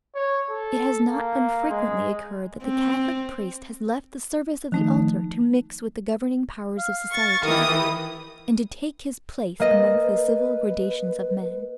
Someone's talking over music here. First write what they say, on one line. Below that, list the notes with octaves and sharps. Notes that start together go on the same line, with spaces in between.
It has not unfrequently occurred that the Catholic priest has left the service of the altar to mix with the governing powers of society, and to take his place amongst the civil gradations of men.
C#5
A4
A#3
G#3
C4
D#3 F3 A3 D#4
F5
C#6 A6
D#3 E3 G4 A#4 D#6
A#3 B4 D#5